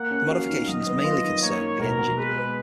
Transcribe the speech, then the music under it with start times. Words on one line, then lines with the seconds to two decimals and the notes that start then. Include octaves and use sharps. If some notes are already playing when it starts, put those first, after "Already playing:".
The modifications mainly concerned the engine.
Already playing: A#3 F#5
0.11 C#4
0.30 F#4 F5
0.49 D#3
0.68 F#3 D#5
0.87 B3
1.04 F4
1.24 D#3
1.43 A#3 C#5
1.61 D#4
1.80 B2 A#4
1.99 B2
2.18 G#3 B4
2.36 B3